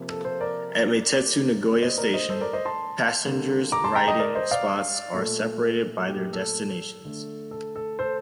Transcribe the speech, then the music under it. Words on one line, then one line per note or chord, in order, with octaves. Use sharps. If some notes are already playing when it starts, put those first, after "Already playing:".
At Meitetsu Nagoya Station, passengers' riding spots are separated by their destinations.
Already playing: C3 F3 A#3
A4
A4 C5
A#4 D5
D3 A3
C5 D#5
A#4 D5
C5 D#5
A4 C5
A#4 D5
C5 D#5
A5 C6
D3 G3 A#3
A#5 D6
A5 C6
G5 A#5
D#5 G5
A#4 D5
C5 D#5
D5 F5
A#2 A3 A4
G4
A4
D3 A3
A4
A4
A4 C5